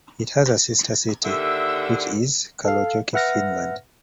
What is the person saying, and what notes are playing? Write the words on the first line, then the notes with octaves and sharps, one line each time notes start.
It has a sister city, which is Kalajoki, Finland.
D#2 D3 E5 E6
A4 F5
B4 E5 F#5 F6 A#6